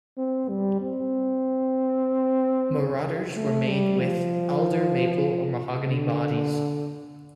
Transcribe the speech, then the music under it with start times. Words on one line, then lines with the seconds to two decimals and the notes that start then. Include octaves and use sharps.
Marauders were made with alder, maple, or mahogany bodies.
0.17 C4
0.49 G3
0.81 C4
3.36 A3
3.68 G3
4.00 F3
5.90 D3